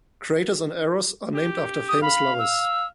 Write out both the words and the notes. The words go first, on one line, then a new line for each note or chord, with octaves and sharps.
Craters on Eros are named after famous lovers.
G4
D#6
F5 B5
E6